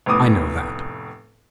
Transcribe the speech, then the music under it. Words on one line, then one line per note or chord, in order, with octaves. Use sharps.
I know that.
F1 A2 B3 D6 D#6